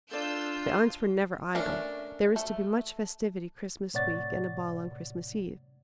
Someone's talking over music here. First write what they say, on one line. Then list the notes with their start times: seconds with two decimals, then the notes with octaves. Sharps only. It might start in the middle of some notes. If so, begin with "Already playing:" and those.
My aunts were never idle; there was to be much festivity Christmas week and a ball on Christmas Eve.
0.11 D4 F4 A4 D5 E6 G6
1.55 A3 C#4 D4 A#4
2.36 A3
3.94 A2 C3 C#5 D5 F#5 A6